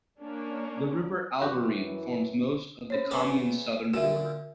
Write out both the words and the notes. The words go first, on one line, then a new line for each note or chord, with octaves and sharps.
The river Albarine forms most of the commune's southern border.
A#3 C#4 D4
F#2 E3 F#4 G4
C#4 C5 C#5
E2 A3 B3 G#5 C#6 D6
A#2 D3 F#4 E5